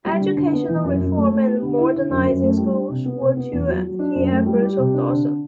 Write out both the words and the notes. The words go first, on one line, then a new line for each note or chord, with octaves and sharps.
Educational reform and modernizing schools were two key efforts of Dosan.
G3
D3
D3
B3
E3
F#2
F#2
A3
A3
G4
D3
E4
D3
F#2
F#2
A3
G3
D4
C3
B3
C3
B3
E2
F#3
F#3
D4
F#2
A3
G3
G4
C3
D4
D3